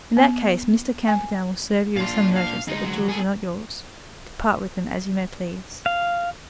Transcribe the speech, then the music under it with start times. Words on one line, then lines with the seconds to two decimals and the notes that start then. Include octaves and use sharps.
"In that case Mr. Camperdown will serve you with some notice that the jewels are not yours,--to part with them as you may please."
0.17 B3
1.07 G#5
1.97 A#2 D4 F5 C6
2.36 F5
2.68 D2 G#3 D#4
2.85 F#3
3.09 B3 G#4 A4 G#5
5.86 F5